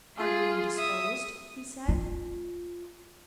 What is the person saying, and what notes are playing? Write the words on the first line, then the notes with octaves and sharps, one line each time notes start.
"Are you indisposed?" he said.
F4 G#4
E5 D#6
F4